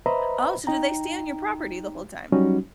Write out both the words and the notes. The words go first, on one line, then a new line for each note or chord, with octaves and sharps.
Oh, so do they stay on your property the whole time?
B4 C5 D#5 E5 A#5 B5
D#4 G5 A#5
F#3 G3 C#4 D#4 F#4